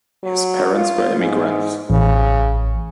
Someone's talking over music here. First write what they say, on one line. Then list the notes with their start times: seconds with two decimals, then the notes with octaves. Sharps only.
His parents were immigrants.
0.23 F#3
0.74 F4
1.20 G#2
1.90 A1 C#3